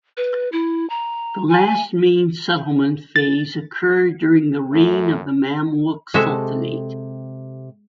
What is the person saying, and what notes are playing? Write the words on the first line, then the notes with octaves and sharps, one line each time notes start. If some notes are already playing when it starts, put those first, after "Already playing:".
The last main settlement phase occurred during the reign of the Mamluk Sultanate.
B4
E4
A#5
G#5
A6
F#2 A3
C3 G#3 F#4 G4 A4 E5